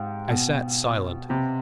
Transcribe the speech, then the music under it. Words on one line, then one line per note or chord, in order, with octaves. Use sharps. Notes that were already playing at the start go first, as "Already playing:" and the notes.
I sat silent.
Already playing: G#2 C4 G4 F5
B2
C3 C4 G4 B4 D#5